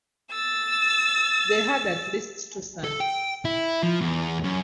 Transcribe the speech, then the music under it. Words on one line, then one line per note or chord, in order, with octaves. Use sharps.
They had at least two sons.
E6 A6
A4
G5
E4
F3
E2
F#2